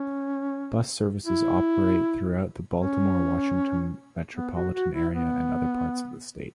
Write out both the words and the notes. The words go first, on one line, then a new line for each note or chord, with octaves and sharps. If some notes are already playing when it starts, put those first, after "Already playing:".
Bus services operate throughout the Baltimore-Washington Metropolitan Area and other parts of the state.
Already playing: C#4
E4
C#4
B3
F#4
F#4
E4
B3